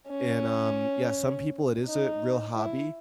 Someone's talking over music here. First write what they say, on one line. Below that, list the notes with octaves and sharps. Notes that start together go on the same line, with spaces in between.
and, um, yeah, some people it is a real hobby,
C#4
D#4
E4